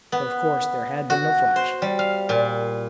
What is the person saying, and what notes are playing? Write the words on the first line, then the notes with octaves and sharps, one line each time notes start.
But of course there had been no flash.
B3
F#4
C5
G3
F5
A#2